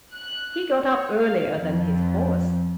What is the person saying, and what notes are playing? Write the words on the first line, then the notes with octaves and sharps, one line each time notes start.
He got up earlier than his horse.
F#6
C#5
F5
F2